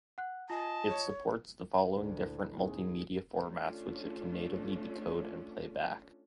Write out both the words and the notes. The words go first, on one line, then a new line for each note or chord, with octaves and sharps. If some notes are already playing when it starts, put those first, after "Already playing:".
It supports the following different multimedia formats which it can natively decode and playback.
F#5 F#6
F4 D#5 G#5 A5
C#5
D2 A#2 D4
E4
D#2 C4 D#4 G#4
A3 C#4 D4 F4